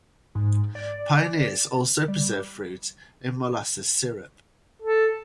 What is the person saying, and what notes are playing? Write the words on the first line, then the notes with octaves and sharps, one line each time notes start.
Pioneers also preserved fruit in molasses syrup.
G#2
D5
G3
A4